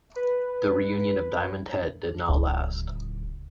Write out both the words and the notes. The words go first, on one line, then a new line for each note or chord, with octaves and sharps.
The reunion of Diamond Head did not last.
B4
D1 C#2